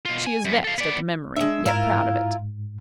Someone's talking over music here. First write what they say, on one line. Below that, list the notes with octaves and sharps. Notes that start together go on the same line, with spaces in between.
She is vexed at the memory, yet proud of it.
B2 F4
G#5
F#2 B3
A4 F5
B3 D5
G#3 D4 E5
G#2 E4 F4 A#4